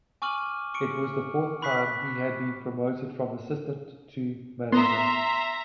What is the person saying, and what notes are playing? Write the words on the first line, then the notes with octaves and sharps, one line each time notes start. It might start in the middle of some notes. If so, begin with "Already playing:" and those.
It was the fourth time he had been promoted from assistant to manager.
G#5 C#6 D6 F6 D#7 F#7
C#6 C#7 D7
B5 C#6 F#6 B6 C7
B3 E5 A#5 C6